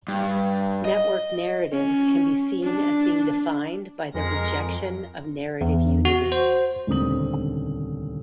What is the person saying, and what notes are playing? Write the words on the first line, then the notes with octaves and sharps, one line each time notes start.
Networked narratives can be seen as being defined by their rejection of narrative unity.
G2
D#5
C#4
D4
F2 G#3 A#4 A#6
E2
F#4
C5
D#1 C#2 D3 C4 D#6 F#7